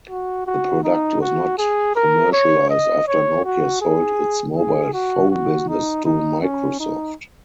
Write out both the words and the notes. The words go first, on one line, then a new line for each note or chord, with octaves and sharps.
The product was not commercialized after Nokia sold its mobile phone business to Microsoft.
F#4
F#4
D#4
F#4
G#4
A#4
C#5
D#5
C#5
F#4
G#4
G#4
F#4
F#4
D#4
D#4
C#4
D#4